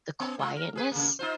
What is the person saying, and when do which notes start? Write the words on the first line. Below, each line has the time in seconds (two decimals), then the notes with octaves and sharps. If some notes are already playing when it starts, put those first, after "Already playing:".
the quietness
0.20 B3
0.39 G#3 F4
0.56 A#4
0.75 G#4 B4
0.91 C#3 A#3
1.19 D#4 F4 C5